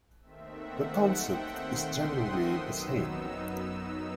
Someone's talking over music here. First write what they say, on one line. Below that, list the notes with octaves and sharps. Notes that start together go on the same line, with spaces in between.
The concept is generally the same.
D#2 D#3 A3 C4 E5
F#5
G5
C6
D#6
E6
F#2 F#3 B3 D#4 E6
E6
E6